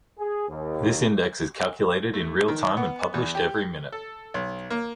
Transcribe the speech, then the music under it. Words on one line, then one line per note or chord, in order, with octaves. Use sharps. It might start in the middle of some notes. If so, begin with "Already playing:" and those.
This Index is calculated in real-time and published every minute.
G#4
D#2
A3
D#3
B3
E2
G4
A4
B1
A#3